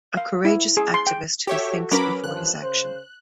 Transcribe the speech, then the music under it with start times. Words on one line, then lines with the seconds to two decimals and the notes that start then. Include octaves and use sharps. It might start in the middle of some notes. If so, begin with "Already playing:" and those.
A courageous activist who thinks before his action.
0.17 F5
0.45 E4
0.77 G#4
0.94 C6
1.07 G5
1.47 F#4 G4 A4 C#5 E5
1.91 F#3 C#4 A#4 B4 B5 D6
2.24 G2 F3 F#6
2.61 C#3 C5